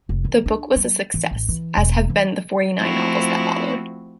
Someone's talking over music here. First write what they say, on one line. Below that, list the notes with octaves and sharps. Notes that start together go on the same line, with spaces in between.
The book was a success, as have been the forty-nine novels that followed.
F1
D#3
D4
F#3
E3
A1
E3
E1
E3
F3 A3 C4 E4 F#4